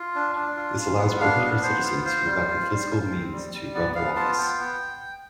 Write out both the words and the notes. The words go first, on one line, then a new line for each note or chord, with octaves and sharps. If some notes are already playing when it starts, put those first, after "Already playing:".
This allows ordinary citizens, who lack the fiscal means, to run for office.
Already playing: F4
D4
D4
F4
F4
B3
D4 F5
B3
B3 C5
F4
F4 C5
G3
F4
G3
F4
C4
G3
G3
B3 D5
B3 F5
F4 A5
B3 G5
B3